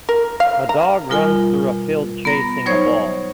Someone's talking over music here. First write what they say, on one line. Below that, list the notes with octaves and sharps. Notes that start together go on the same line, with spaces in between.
A dog runs through a field chasing a ball.
A#4
F5
A#5
B2 G3 F4 A#4 G#5
B3 A#5 A#6
F#3 D#4 C5 C#5 C#6 G#6